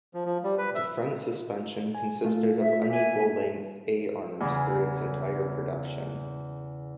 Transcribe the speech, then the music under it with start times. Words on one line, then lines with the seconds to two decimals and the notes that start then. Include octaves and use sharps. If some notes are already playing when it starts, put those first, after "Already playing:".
The front suspension consisted of unequal length A-arms through its entire production.
0.14 F3
0.26 F3
0.44 G3
0.58 B4
0.75 E5
1.95 G#5
2.25 A3 F4
2.61 E5
2.90 A#3 E5 G#5
4.40 E2 C#3